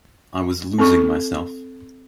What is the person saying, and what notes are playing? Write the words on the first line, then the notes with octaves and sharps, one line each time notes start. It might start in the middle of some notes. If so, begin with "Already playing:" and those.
I was losing myself.
C4 A4 C#6